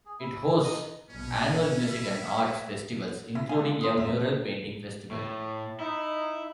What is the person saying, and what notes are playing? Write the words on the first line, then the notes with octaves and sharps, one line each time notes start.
It hosts annual music and arts festivals, including a mural-painting festival.
G#4
E4
D#5 A#5
A#1 G2 B2 C#4
G#5
E4 A#4 E5
E4 C6 A#6 B6
D3 D#3 G#3 E4 F5 G#5
F3 C6 D#6
F2 F3 C4 E5 A#5
A2
D#4 E4